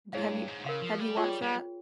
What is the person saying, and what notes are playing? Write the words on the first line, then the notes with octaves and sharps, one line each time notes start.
Have you have you you watched that?
G#2 E4 G#4 C#5 F5
G2
G#2
C#3 A#4 F5 C6
F3
G3
G#3 F4 G#4 C#5 G5 C6
G3
G3